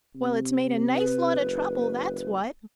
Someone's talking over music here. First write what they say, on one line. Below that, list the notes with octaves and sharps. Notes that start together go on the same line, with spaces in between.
Well, it's made a nice lot of trouble, that's what.
C3
B4
F#1